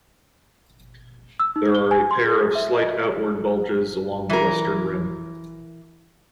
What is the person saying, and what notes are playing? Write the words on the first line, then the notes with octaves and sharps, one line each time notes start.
There are a pair of slight outward bulges along the western rim.
E6
D#4
G7
G#5
C6
G#4
E5
D#5
E3 A#4